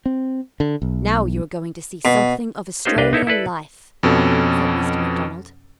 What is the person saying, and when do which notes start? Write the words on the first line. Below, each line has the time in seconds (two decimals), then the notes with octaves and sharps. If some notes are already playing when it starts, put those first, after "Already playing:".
"Now you are going to see something of Australian life," said Mr. McDonald.
0.06 C4
0.60 D3
0.82 B1
2.05 B2
2.85 C#4 D#4 F4 G4 B4 C5
2.98 C2 D4 B4 D#5 F5 G5
3.13 D#4 E4 A4 C#5
3.27 E4 A4 B4 D5
4.03 F2 B2 C#4 A4